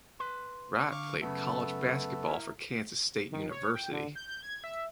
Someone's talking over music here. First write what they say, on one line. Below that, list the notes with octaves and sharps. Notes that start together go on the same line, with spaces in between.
Wright played college basketball for Kansas State University.
B4 C6
D3 F5 C#6 D6
F#2 C#3 A3 B3 A4
E4 A#4
D#3
C#5
G5
D3
G6
G6
G#6
E5